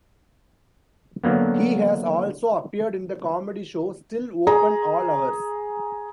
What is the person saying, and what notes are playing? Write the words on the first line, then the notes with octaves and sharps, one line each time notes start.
He has also appeared in the comedy show Still Open All Hours.
D3 F#3 A#3 B3
G#4 A#5